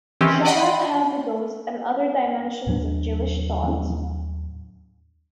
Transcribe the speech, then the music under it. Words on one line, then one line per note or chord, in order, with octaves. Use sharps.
Chabad Hasidus and other dimensions of Jewish thought.
D#3 E3 C4 C#4 G4
D5 D#5 F#5 G5 B5 C6
D#2 A2 F#3 D4